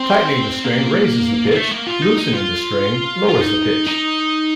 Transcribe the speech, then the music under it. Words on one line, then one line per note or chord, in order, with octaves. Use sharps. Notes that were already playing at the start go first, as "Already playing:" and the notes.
Tightening the string raises the pitch; loosening the string lowers the pitch.
Already playing: C4
A#3
A#3
A3
A#3
F4
D#4
D#4
F4
F4
D#4
D#4